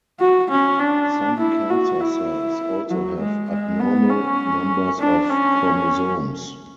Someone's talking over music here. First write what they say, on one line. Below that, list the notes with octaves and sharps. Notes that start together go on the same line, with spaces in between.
Some cancer cells also have abnormal numbers of chromosomes.
F#4
C#4
D4
E4
F#4
E4
F#3
G#3
G#3
B3
C#4
D4
C#4